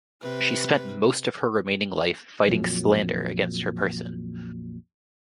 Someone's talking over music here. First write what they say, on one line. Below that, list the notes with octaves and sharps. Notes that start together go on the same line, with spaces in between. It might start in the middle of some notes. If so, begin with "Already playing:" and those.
She spent most of her remaining life fighting slander against her person.
C3 B4
A#1 F2 A#2 F#3